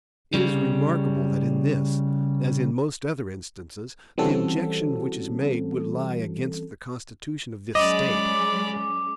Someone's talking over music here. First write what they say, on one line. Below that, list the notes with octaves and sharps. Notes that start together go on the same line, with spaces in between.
It is remarkable that in this, as in most other instances, the objection which is made would lie against the constitution of this State.
C#3 G3
E3 G3 C4 C#4 F#4 A4
F#3 G#3 C#4 D5 D#5 B5 D6